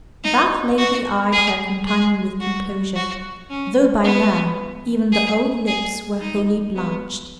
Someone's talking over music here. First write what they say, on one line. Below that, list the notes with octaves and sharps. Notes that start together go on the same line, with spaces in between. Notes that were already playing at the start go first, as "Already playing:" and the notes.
That lady eyed her companion with composure, though by now even the old lips were wholly blanched.
D#4
F#4
G#4
G#4
F#4
F#4
C#4
B3
G#4
G#4
D#4
B3